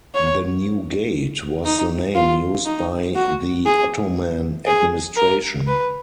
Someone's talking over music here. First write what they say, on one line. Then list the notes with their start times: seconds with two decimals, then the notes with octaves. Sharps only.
The "New Gate" was the name used by the Ottoman administration.
0.14 C#5
1.65 D#4
2.15 F4
2.65 D#4
3.15 F#4
3.66 G#4
4.67 G#4
5.16 A#4
5.67 B4